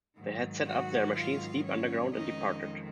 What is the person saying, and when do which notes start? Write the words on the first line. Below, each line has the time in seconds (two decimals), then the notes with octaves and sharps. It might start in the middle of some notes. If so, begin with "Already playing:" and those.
They had set up their machines deep underground, and departed.
0.17 G#2 D#3 F#3
0.66 F#4 F#5
1.16 F4 F5
1.64 C#4 C#5
2.14 F2 D#3 G#3 C#4 D#4 D#5